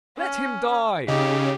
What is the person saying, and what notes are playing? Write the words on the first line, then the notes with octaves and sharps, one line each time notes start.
'Let him die!
C#4
C#3 D#4 G4